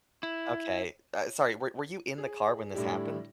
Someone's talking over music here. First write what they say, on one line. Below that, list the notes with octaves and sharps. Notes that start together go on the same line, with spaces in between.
Okay, uh, sorry, were were you in the car when this happened?
E4
G#4
A2 D3 G3 D4 E4 G4